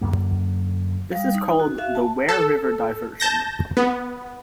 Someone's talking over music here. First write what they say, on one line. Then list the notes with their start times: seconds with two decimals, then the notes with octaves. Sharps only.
This is called the Ware River Diversion.
0.01 F#2 D3 A#3
1.12 G3 F5
1.34 D#4
1.60 F#4
1.78 F#4 E5 F5
1.95 A5
2.29 A4
3.20 A5 G6 A#6
3.77 B3